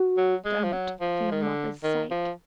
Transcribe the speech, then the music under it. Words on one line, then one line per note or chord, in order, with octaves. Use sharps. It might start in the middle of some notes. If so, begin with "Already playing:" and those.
Don't, for your mother's sake.'
Already playing: F#4
F#3
G#3
F3
F#3
F3
D#3
D3
D#3
F3